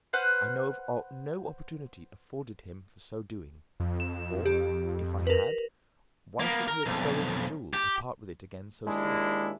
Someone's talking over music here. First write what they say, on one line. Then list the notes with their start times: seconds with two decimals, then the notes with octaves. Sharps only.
I know of no opportunity afforded him for so doing; or, if I had, why should he have stolen the jewel, to part with it again so soon?
0.13 B4 C5 F#5 F6
3.80 F2
4.00 E7
4.46 G4
5.27 A#4 B4
6.40 A#3 B3
6.68 A#4
6.86 B1 F2
7.73 G4
8.87 D#2 G#3 D4 E4